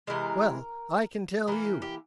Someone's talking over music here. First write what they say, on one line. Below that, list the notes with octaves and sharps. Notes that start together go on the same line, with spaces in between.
Well, I can tell you.
C3 E3 G#3 A#4
E3 A#3 A#4
G4
G4